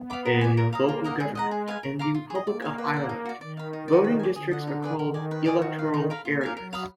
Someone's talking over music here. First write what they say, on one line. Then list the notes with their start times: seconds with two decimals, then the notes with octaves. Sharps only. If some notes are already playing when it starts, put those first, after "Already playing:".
In local government in the Republic of Ireland voting districts are called "electoral areas".
Already playing: B3
0.10 F5 B5 D6
0.25 A#4
0.41 D5 G#5
0.57 A#3 A#4
0.73 F5 A#5 D#6
0.89 F4
1.04 A#4 D#5 F#5
1.20 G#3 G#4
1.35 D#5 F#5 A#5
1.51 G#4
1.68 B4 F5 G#5
1.83 A#4
1.99 F5 A#5 D6
2.14 F4
2.30 G#4
2.35 D#5
2.46 A#3 D5
2.62 F5 G#5
2.78 B4
2.94 D5 F#5
3.09 D#4
3.25 F#4 D5
3.41 D#3 D5
3.57 F5 B5
3.73 D#4
3.88 F#4 D5
4.04 B4
4.19 D5 G#5
4.36 D3 G#4
4.51 D#5 F#5
4.67 D#4
4.83 G#4 B4 D5
4.99 D#3 A#4
5.14 D5 G#5
5.31 B4
5.46 D5 G#5 D#6
5.62 F#4
5.78 B4 F5
5.94 D#4
6.10 A#4 F5 B5
6.25 A#3 F4
6.41 A#4 F5 G#5
6.57 F#3 A#4
6.73 F5 B5 D#6